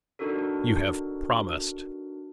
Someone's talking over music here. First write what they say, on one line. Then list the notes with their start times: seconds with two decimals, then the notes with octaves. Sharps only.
"You have promised!"
0.19 D4 D#4 F#4 A4 A#4